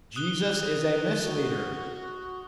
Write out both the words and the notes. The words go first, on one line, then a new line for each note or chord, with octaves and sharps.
Jesus is a misleader.
D#6 F#6 G7
F#4